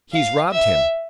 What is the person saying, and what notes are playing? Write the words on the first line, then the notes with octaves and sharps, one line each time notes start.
He's robbed him!
F5
E5